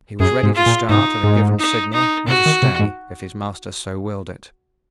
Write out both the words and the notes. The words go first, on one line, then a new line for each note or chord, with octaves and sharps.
He was ready to start at a given signal, or to stay, if his master so willed it.
F#2 G#4
G#2
F4
A#2
G#2 D#4
G#2
D#4
D#4
C3 F#4
D#3
C3
G#2